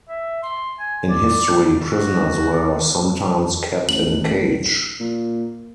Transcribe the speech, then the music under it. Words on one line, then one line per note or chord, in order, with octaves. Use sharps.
In history, prisoners were sometimes kept in a cage.
E5
C6
G#5
D5
F#4
D5
A1 F#7
A#2